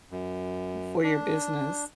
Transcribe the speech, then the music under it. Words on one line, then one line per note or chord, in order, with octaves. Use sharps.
For your business.
F#2
D4